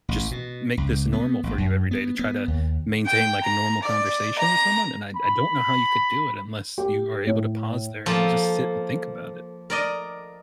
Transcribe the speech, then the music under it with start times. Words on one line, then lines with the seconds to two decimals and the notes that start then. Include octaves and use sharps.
just make this normal for you every day, to try to maintain, like, a normal conversation with someone, and I d I don't know how you could do it unless you are able to pause there and just sit and think about it.
0.09 A1
0.31 B2
0.77 C#2
1.13 B3
1.43 A1
1.58 F#2
1.91 B3
2.19 B3
2.48 D#2
3.06 G5
3.43 A#5
3.82 D5
4.38 A#5
5.16 B5
6.78 G4
7.27 A2
8.06 F3 A#3 A4
9.70 A#4 D5 D#5